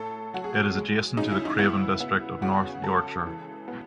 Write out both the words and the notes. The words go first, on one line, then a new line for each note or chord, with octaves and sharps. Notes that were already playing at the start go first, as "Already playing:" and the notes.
It is adjacent to the Craven district of North Yorkshire.
Already playing: A2 A4
F#3 F#4
G#4
F#4
G#3
C#3 D#4
E4
D#4
B3 E4
B3
C#3 F#4
G#3 A4
E3
B3